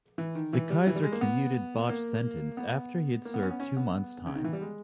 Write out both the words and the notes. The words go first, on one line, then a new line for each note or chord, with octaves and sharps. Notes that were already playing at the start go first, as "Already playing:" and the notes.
The Kaiser commuted Batsch's sentence after he had served two months' time.
E3
D#3
E3
G3
E3
G3
G#3
A#3
B3
A#3
B3
A#3
B3
C#4
B3
C#4
B3
C#3
D#3
E3
G3
G#3